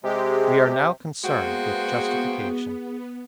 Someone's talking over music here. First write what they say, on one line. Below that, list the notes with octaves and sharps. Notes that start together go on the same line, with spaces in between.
We are now concerned with justification.
C3 G#3 G4
G#3 A#3 B3 F#4 G#4 C5 G5